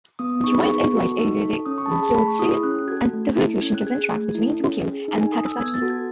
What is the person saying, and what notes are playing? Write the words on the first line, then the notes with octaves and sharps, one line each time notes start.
Trains operate over the Joetsu and Tohoku Shinkansen tracks between Tokyo and Takasaki.
B3 D#6
D#4 G#4 C#6
B5
B3 C#6
F#4 A4
D#4
A4
C#4 D#6
C#6
A5
G#4 B5
A5
A3 B5
C#6
E4 G#4 D#6
D#6
C#4 F#6
F#4 A4 G#6
A3
E4 A4
C#4 G#6
F#6
G#4 G#6
A3
E4 A4
C#4
G#4
D#4
G#5
A4 D#6
E6
B3 G#6
A6
F#4 A4
G#6